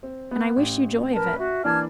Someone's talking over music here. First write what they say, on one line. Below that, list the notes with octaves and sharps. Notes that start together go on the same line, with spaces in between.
And I wish you joy of it!
C4
B3
A1
A#4 B4 A5
F#4 E5
E3 A#3 D4 A5 F6 G#6